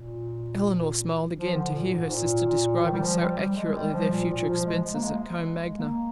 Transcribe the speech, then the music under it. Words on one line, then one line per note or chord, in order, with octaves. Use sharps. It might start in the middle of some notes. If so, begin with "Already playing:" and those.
Elinor smiled again, to hear her sister describing so accurately their future expenses at Combe Magna.
Already playing: A#2
F3
D3
A#2
G#2
A#2
A#2
F3
D#3
G3
F3
G3
G3
G#3
G3
F3
A#2
A#2
F3
G#3
A#3
G#3
A#3